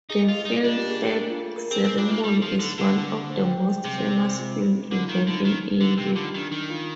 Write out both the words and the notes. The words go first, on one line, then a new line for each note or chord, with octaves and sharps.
The Filmfare ceremony is one of the most famous film events in India.
D#4 G#4
D#5
F4
D#5
D#4 D5
D4 F4
G4
G#4
A#4
G#4
F4
A#4
C4 G#4
C4 G#4
D4 F4
A#3 D#4
G3
F3
D3
D3
C5
G5
G5
G#4
C3 G#4
C5
D5
C5
F4
D3 D#4
D#3 F4
F4
D3 D#4
D#3
D3
C3 G4
D3 F4
D#4
D#3 D4
D#3 D#4
F4